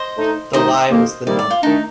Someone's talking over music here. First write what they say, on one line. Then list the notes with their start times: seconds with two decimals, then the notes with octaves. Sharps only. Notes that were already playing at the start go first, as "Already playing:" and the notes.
The Lie was the Nark.
Already playing: C5 D#5
0.17 A2 A3 D#4
0.53 C3 D#3 A3 D#4 C5 D#5
0.90 F2 D#3 A#3
1.26 C3 D#3 G3 A#3 D5
1.39 D5
1.50 F4
1.63 D#3 A3 D4 D#4